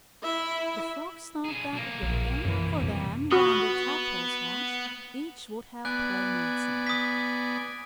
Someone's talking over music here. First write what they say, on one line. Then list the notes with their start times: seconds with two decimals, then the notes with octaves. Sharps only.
The Frogs thought that a good thing, for then, when the Tadpoles hatched, each would have playmates near.
0.23 E4 E5
1.44 D3 G#4
1.73 B1 A#3
2.03 A#1
2.45 F#2 E3
2.81 F2 C3 E3
3.32 B3 F#4 D#6
5.85 B3 D5 G#5 F#6
6.87 D#6 B6